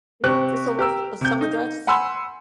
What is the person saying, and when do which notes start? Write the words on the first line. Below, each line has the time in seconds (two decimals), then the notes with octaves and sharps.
Yeah, just a little a summer dress.
0.24 C3 C4 G4 C#6 F#6
0.79 G4 A#4 E6
1.21 C3 G6
1.41 D#4
1.87 F#5 G#5 B5 C6 E6